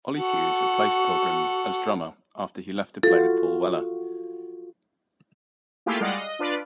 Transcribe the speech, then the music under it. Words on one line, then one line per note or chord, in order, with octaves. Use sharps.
Oli Hughes replaced Pilgrim as drummer after he left to play with Paul Weller.
F#4 A4 F#5
F4 F#4 A4
A3 A#3 E4 F4 G4 G#4
G3 G#3 D5 D#5 F5 F#5
D#5
D4 F4 B4 D5